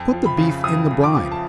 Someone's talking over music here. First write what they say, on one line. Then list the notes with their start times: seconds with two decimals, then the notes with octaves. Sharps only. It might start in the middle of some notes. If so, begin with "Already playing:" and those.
Put the beef in the brine.
Already playing: F2
0.13 F3
0.26 B5
0.38 C#3
0.64 F2 D#6
0.91 F2
1.03 D6
1.17 F3
1.32 A5